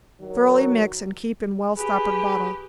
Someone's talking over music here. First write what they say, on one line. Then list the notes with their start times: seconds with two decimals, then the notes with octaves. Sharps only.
Thoroughly mix and keep in well stoppered bottle.
0.20 D#3 F#3
1.78 G4 G#4 B4